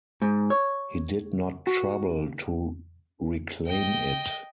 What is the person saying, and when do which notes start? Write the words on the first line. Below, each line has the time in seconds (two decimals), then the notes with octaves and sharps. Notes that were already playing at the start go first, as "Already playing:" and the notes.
He did not trouble to reclaim it.
0.22 G#2
0.50 C#5
1.67 F#4
3.66 D#5 G5